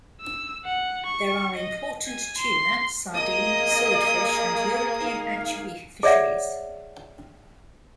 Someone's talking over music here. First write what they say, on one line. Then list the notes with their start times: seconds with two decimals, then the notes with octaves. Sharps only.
There are important tuna, sardine, swordfish and European anchovy fisheries.
0.21 E6
0.65 F#5
1.06 C#6
1.56 D#5
2.07 G#5
2.38 C6
3.15 A#3 G#4 D#5 D#6
5.00 D#4 F5
6.03 G#4 C#5 D5 E5 F#5